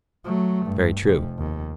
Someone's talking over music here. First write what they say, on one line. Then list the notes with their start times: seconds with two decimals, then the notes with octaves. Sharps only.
Very true.
0.25 F#3 A3
0.66 G2
1.03 F1 F2
1.38 D#2